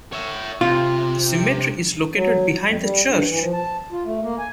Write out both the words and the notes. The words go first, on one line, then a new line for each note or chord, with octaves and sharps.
The cemetery is located behind the church.
C#5 E5
C3 F4
F#3
F2
G3
G2
E3
F3
A5
F4
A3
A#3
G#5